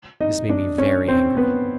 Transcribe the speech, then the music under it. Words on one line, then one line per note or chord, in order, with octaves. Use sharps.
This made me very angry.
D#4 D#5
D4 D5
C#4 C#5
C4 C5
B3 B4